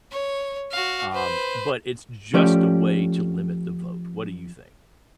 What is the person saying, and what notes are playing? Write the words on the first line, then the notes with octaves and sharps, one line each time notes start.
Um, but it's just a way to limit the vote. What do you think?
C#5
F#4 F5
B4 C5
F3 A3 C#4 G4 D5